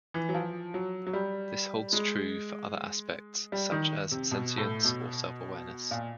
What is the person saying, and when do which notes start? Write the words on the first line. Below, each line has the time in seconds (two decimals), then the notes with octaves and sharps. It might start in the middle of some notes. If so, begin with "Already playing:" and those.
This holds true for other aspects, such as sentience or self-awareness.
0.14 E3
0.29 F#3
0.34 F3
0.74 F#3
1.07 F#3
1.13 G3
1.93 G#3
3.52 G3
3.72 D#3
4.11 C3
4.31 B2
4.58 A2
4.84 B2
5.91 A#2